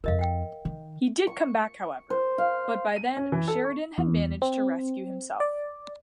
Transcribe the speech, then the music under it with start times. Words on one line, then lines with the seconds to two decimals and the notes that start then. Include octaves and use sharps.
He did come back however but by then Sheridan had managed to rescue himself.
0.04 F2 F4 A#4 D#5 F5
0.19 F#5 G5
0.65 D#3
1.27 C#6
2.10 C5
2.38 F5
2.96 D#7
3.17 C#4
3.32 E3
3.48 A4
3.65 C#6
3.98 E2
4.42 C4
5.40 D5